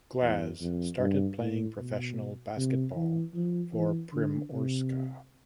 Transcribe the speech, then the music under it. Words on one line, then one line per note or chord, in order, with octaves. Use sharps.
Glas started playing professional basketball for Primorska.
E2
F2
G2
A2
B2
C3
E3
F3
E3
D3
C3